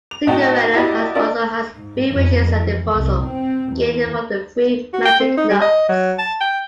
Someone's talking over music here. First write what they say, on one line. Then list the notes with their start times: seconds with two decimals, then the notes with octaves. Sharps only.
Cinderella also has three wishes at her disposal, gained from three magic nuts.
0.11 F7
0.27 A2 D#4 F#4 G5 A5
0.74 E4 F#4 G4 D5 D#5
1.15 D4 F4 A#4 D5 D#5
1.76 G#2
2.11 F2
2.52 E3
2.92 C2
3.25 C4
3.76 E2
4.93 F#4
5.05 G5
5.20 C4
5.37 D#4
5.49 G3
5.61 D#5
5.89 F#3
6.18 A5
6.40 G5